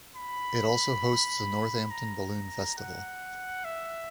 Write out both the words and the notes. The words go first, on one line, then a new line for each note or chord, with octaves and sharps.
It also hosts the Northampton Balloon Festival.
B5
A#5
F#5
E5